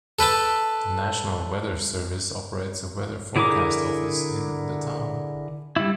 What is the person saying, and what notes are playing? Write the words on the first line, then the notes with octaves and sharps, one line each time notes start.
The National Weather Service operates a Weather Forecast Office in the town.
A4 B4 G5 A5
D3 E4 G#4 A#4 D6
G3 E4